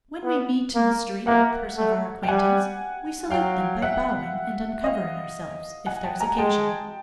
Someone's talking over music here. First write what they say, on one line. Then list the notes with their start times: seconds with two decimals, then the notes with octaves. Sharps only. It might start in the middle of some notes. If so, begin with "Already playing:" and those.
When we meet, in the street, a person of our acquaintance, we salute them by bowing and uncovering ourselves, if there is occasion.
0.24 B3
0.75 A#3
1.26 A#3 E5 F#5
1.77 A3
2.23 G5
2.28 G3 F#5 G#5
3.30 F#3 F5 G5
3.82 E5 F#5
4.84 D#5 F5
5.86 F#5 G#5
6.04 G5 A5
6.20 G#5 A#5
6.38 G#3 G5 A5